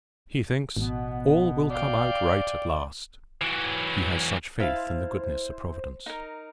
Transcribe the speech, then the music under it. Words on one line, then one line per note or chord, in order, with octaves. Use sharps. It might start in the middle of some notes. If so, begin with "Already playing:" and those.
He thinks "all will come out right at last;" he has such faith in the goodness of Providence.
A1 B2 B3
D5 F5 G5
E3 F#3
E4 C5 F5 A5
D#4 A#4